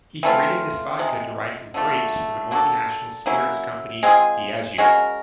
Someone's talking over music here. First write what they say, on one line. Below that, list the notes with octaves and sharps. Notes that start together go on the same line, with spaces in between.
He created this vodka derived from grapes for the multinational spirits company Diageo.
E3 A3 C4 F4
C3 F3 G#3
D3 F3 A3
A#3 D4 F#4 A4
F#3 A#3 C#4 E4
G#3 C4 F4 G#4
G#3 C#4 F#4 A#4